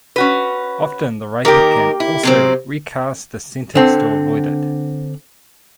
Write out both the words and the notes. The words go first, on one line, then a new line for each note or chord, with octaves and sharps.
Often the writer can also recast the sentence to avoid it.
C#4 F#4 B4
D#3 A#3 G4 A#4
E4
C3 F#3 C4
D3 C4